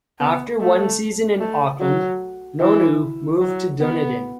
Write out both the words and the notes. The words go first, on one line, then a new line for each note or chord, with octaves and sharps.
After one season in Auckland, Nonu moved to Dunedin.
B3
A3
A3
F#3
E3
F#3
B3